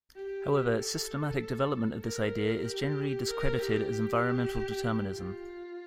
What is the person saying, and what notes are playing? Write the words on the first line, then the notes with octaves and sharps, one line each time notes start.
However, systematic development of this idea is generally discredited as environmental determinism.
G4
A4
A#4
G4
A#4
G4
G4
F4